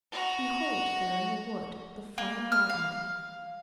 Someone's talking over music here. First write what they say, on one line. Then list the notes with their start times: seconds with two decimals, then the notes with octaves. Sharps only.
Behold there in the wood the fine madman!
0.12 F#4 A#5
2.18 A#3
2.52 F6
2.69 F5